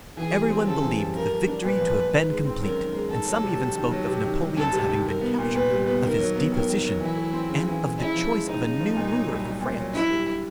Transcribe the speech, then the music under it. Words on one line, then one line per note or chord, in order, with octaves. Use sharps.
Everyone believed the victory to have been complete, and some even spoke of Napoleon's having been captured, of his deposition, and of the choice of a new ruler for France.
E3 G#4
G3
C4
C#3 A4
E3
G3
F3 A#4
A3
D4
A#2 B4
F3
A3
D#3
G#3
C4
F#2 A#4
D#3
G#3
D#3 A4
F#3
C3
C3
D#3
F#3
C3
D#3
G3
D2 A4
C3
D#3
G3 A#4
B3
A#2
A#2 B4
G3
B3
D#3 A#4
F#3
B3
D#2 A#4
D#3
F#3
E3 E4
A3
C4
C#3
E3
A3
C#3 E4
F3
G#3
D#2 D#4
C#3
F3
A#2
F#3
C2
C2
A#2
F#3
D3 E4
G3